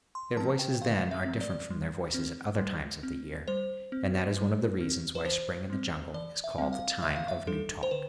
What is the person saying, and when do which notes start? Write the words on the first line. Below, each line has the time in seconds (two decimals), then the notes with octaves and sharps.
Their voices then are different from their voices at other times of the year, and that is one of the reasons why spring in the Jungle is called the Time of New Talk.
0.15 C6
0.37 F3 C4 A5
0.59 G5
0.81 D3 F5
1.11 E5
1.26 F3 C4
1.41 D5
1.70 G3
2.14 C4
2.59 G3
3.03 C4
3.48 G3 C5
3.92 C4
4.37 G3
4.81 C4
5.15 B4
5.25 E3 C5
5.70 G3 C4
6.14 E3 D5
6.44 E5
6.58 G3 C4
6.73 F5
7.02 D3 E5
7.16 F5
7.28 E5
7.47 G3 D4 A4
7.83 C5
7.91 D3 B4